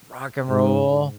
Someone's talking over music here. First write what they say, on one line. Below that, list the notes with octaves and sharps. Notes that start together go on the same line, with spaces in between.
Rock and Roll,
G#2